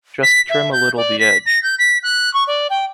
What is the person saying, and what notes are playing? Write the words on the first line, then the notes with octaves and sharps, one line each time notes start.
Just trim a little the edge.
B6
E5
G6
D5
B6
A#6
G6
B6
F#6
C#6
D5
G5